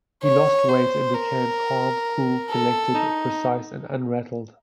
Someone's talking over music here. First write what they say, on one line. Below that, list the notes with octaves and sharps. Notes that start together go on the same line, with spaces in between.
He lost weight and became "calm, cool, collected, precise, and unrattled".
C#5
C5
A#4
A4
D#4